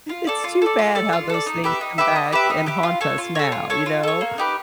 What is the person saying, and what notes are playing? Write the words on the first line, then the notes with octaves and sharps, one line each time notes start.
It's too bad how those things come back and haunt us now, you know?
F4
A4 D5
F4
A4 D5
F4
A4 D5
F4
A4 D5
D#4
G4 B4 E5
D#4
G4 B4 E5
D#4
G4 B4 E5
D#4
G4 B4 E5
F4
A4 C#5
F4
A4 C#5
F4
A4 C#5
F4
A4 C#5
A#3
D#4 G4 B4